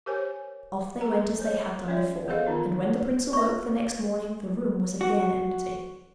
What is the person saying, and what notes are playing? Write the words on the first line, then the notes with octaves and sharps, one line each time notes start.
Off they went as they had done before, and when the prince awoke the next morning the room was again empty.
G4 A#4 C5 C#5 G#5
G#4 A#4 A#5
C5 C#5 D#5
C#4 F4 C#5 D5 E5
B3 G#4 A4 C5 D#5 F5
D#3 E3 D#4 F4
E5 C#6
F#4